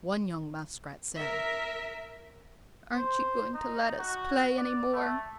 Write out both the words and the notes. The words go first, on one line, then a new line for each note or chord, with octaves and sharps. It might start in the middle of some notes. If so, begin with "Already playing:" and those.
One young Muskrat said, "Aren't you going to let us play any more?"
A#4 E5
C5
D#4
F#4
D5
A3